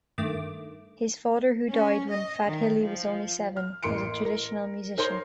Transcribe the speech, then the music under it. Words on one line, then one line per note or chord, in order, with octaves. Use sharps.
His father, who died when Fadhili was only seven, was a traditional musician.
G2 D#3 A3 D6
C#4
D#5
D#3
F3
F6
A1 A#3 C6 C#7 D7
A#4
D#4 A#4 C5 C#5 C6